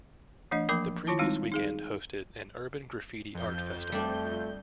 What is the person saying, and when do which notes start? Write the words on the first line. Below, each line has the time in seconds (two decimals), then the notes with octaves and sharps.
The previous weekend hosted an Urban Graffiti Art Festival.
0.51 E3 A3 D4 D#5
0.69 F3 A#3 A#4 B5 D6
1.07 D#3 E4 F4 A5
1.19 G3 G#3 C4 D#4 F5
1.52 D#4 G#4 F5
3.34 F2 G6
3.92 G3 A3 D4